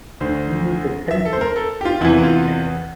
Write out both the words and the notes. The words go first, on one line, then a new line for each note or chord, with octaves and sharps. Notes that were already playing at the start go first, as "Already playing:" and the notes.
He was the county's first white settler.
D2 D3 C5
E5
A4
C5
A#4
A4
G4
F4
E2 C3 E3 E4
E4
F4